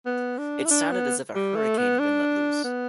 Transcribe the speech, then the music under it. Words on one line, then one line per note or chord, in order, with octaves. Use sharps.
It sounded as if a hurricane had been let loose.
B3
D4
E4
D4
B3
G3
A3
B3
D4
B3